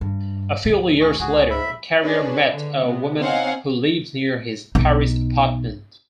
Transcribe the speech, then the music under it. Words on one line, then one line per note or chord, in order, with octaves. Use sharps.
A few years later, Carrier met a woman who lived near his Paris apartment.
G2
D2 A2
G#4 C#6
C#2 F#4 G#4
E5 B5
D4 G#4 B4 C#5
D3
C3 B3
C4 D#4 C#5 F5 F#5 G#5
B1 D#4